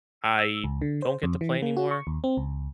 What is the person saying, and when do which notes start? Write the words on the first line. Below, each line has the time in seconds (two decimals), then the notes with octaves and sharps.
I don't get to play anymore,
0.39 E6
0.64 C#2
0.81 D3
1.02 C5
1.23 F2
1.41 E3
1.62 A#3
1.77 F#4
1.91 C#6
2.07 D#2
2.24 C4
2.37 C#2